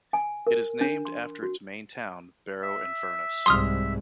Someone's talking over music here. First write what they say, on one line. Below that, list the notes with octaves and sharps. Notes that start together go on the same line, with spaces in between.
It is named after its main town, Barrow-in-Furness.
G#5
A#4
D4
C6
F#4
E5
C2 G#2 C6 D#6 F6